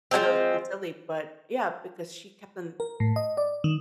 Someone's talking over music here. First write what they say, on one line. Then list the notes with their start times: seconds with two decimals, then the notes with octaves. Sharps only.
I know it seems silly, but yeah, because she kept on
0.11 F3 G3 G#3 C4
2.80 A#4
3.00 A2
3.16 D#5
3.37 D5
3.64 D#3